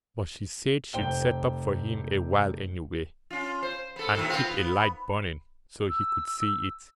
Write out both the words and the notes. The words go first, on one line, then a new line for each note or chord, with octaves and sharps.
But she said she'd set up for him a while anyway, and keep a light burning so he could see it.
F1 C5 G5 G7
C#4 F4
C5
B3 A4
A#2 D#3 A3
B3 C4 F4
B3
E6